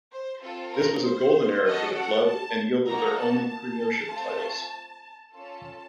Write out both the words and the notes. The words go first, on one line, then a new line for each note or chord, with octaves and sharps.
This was a golden era for the club and yielded their only premiership titles.
C5
C4 F4 A4
A#4
C5
C#4 F#4 A4 D#5
F#5
A5
A#3 D#4 F#4 A4 A#5
A5
A5
A3 C4 F4 A4
C#4 F4 A4 A5